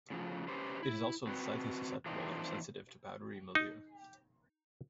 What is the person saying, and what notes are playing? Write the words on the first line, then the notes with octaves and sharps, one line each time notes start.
It is also slightly susceptible or sensitive to powdery mildew.
A2 C#3 F3
C#4 G4 B4 C5
E4
C4 F#4 B4
E3 F3 A#3 C4 D4 D#4
D#4